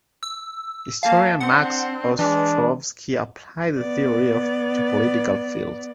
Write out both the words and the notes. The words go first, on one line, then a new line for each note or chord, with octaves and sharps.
Historian Max Ostrovsky applied the theory to political field.
E6
A#3 F5 A5
C4 D4 F#5
E3 G#3 D4
B3 D5